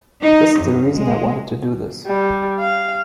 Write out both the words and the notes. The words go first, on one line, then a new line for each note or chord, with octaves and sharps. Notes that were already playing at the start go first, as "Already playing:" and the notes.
This is the reason I wanted to do this.
D#4
F#2
G#3
G3
F5